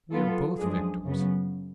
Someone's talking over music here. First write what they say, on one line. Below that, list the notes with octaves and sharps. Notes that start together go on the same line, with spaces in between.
We are both victims.
F#3 B3 F4 A4
F#2 F3 G#3 D4 G#4
F#2 C#3 F#3 B3